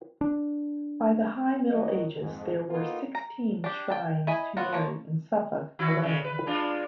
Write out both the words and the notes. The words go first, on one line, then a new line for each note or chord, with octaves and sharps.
By the High Middle Ages there were sixteen shrines to Mary in Suffolk alone.
D4
F2 D#3 F#3 A#4 D#5
F2 G#2
A#3 B3 D#4 F4 A4 A#4
A#5
D4 G4
G5 A5
E4 D#5 G#5 B5
B3 F4 F#4
F3 A#3 C#5
D#3 E4 F#4
C#3 G#3
B4
G#3 D4 F4